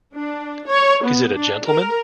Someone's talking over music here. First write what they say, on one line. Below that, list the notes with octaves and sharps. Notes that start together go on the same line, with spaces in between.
Is it a gentleman?
D4
C#5
B3
D4
A#4